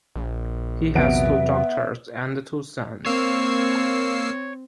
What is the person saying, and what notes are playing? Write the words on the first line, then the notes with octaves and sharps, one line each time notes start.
He has two daughters and two sons.
A#1
E2 C3 F#3 B3 E5 D7
A#3 C4 C#5 E6 C7